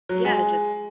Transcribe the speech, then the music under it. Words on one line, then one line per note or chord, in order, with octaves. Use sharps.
yeah, just
F#3
G#3